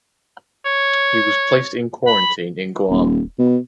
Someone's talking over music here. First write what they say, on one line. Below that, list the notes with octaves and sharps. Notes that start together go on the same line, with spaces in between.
He was placed in quarantine in Guam.
C#5
B5
D#1
B2